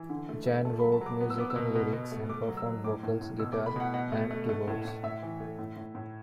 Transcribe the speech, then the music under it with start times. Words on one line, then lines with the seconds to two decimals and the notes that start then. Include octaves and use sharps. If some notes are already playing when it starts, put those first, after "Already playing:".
Jan wrote music and lyrics and performed vocals, guitar and keyboards.
Already playing: E3
0.10 D3
0.29 A3
0.47 A3
0.65 A3 A5
0.79 F#3 B5
0.92 A5
1.01 F#3
1.06 D6
1.20 B3
1.30 E6
1.38 B3 D6
1.50 E6
1.56 B2
1.75 B2
1.93 B2
2.12 A3
2.29 A3 D6
2.48 F#3
2.57 E6
2.66 F#3
2.84 A2 D6
3.03 A2
3.21 A2
3.39 B2 E6
3.53 A3 D6
3.66 B5
3.76 B2 F#5
3.94 B2 F#5
4.12 A3
4.31 A3
4.49 A3
4.67 A2
4.85 A2
5.03 A2 E5
5.22 E3
5.40 A3
5.59 A2
5.76 A2
5.95 A2